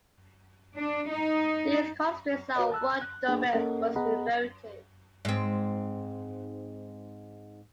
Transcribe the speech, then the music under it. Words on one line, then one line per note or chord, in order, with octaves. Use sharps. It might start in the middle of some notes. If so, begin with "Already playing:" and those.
These constraints are what Dummett was referring to.
D4
D#4
F#4 B4 C#5 D#5
A5 E6 F#6
F#6
A#3 D4 G#4 G5
A#3 C#4 A4 A#4 D#5 F#5
B3 G#4 D#5 F#5 A#5 B5
G#2 C4